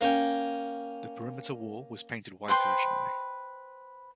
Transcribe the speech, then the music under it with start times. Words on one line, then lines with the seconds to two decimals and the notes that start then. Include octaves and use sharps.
The perimeter wall was painted white originally.
0.01 A#3 C#4 C#5 G5
2.48 B4 C5 G5 C6